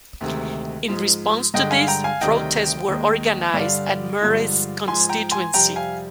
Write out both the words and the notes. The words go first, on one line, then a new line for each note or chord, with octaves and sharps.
In response to this, protests were organised at Murray's constituency.
D2 C3 D#3 G#3
G#2 F3 G#3
G2 D3 G#3 D#5 G5
F5 G#5
G5 A#5
F5 G#5
D2 C3 D#3 G3 D#5 G5
D#2 D#3 G#3
G2 D3 G3 D5 F5
G2 D3 F3 G#3
G#2 F3 G#3 G#5 C6
G5 A#5
G#5 C6
F2 C3 G3 G5 A#5
F5 G#5